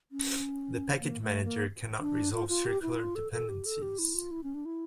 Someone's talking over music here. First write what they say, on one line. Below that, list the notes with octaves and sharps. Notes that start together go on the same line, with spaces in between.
The package manager cannot resolve circular dependencies.
C#4
A#3
A3
A#3
D4
F4
F4
G4
E4
F4
A4
A4
G4
A4
G4
E4
F4
E4
C#4
D4
E4